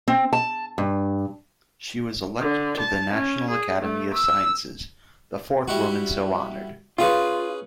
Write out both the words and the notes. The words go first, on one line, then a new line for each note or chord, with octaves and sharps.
She was elected to the National Academy of Sciences, the fourth woman so honored.
C4
A5
G2
D3
A5
C#4
G#4
A3
E6
G3 E4 F#4
C#4 F4 G#4 B4